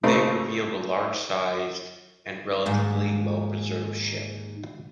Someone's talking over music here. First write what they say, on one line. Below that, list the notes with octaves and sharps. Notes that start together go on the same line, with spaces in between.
They revealed a large-sized and relatively well-preserved ship.
C#3 A3 A#3 C4 D#4
D#2 G#2